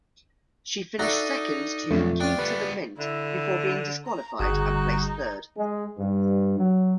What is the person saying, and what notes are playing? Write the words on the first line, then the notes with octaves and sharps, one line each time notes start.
She finished second to Key to the Mint before being disqualified and placed third.
D4 D#4 F#4 A4 E5 A#5
B1 F2 A3
D4 F4 G5
G3 B3 B4
D3 E4
A#5
G1 D#4 F#4 G#4
G#3
G2
F#3